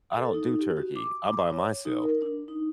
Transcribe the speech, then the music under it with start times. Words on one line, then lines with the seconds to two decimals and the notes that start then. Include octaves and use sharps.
I don't do turkey. I'm by myself,
0.17 A4
0.34 D#4
0.59 G4
0.77 F#4
0.96 D6
1.50 C#5
1.85 D#4
2.03 A#4
2.22 D4
2.48 D#4